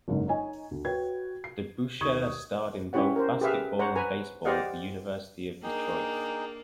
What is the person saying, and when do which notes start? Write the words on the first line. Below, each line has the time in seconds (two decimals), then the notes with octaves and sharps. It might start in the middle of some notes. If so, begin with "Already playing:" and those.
DeBusschere starred in both basketball and baseball at the University of Detroit.
0.08 F#1 G#2 D3
0.27 D#4 C#5 D#5 G#5
0.71 D2
0.85 F#4 B4 C#5 G5 G#6
1.44 C7
2.01 D#2 C#6 D#6 G#6
2.93 C#4 E4 G4 C#5 F#5
3.16 A#4 C5
3.41 G4 G#4 B4 E5 F5
3.79 C5 C#5 F#5 A#5
3.95 B4 G#5 A#5
4.45 G4 C5 D5 D#5 F5 F#5
5.63 A#3 D4 D#4 G#4 G5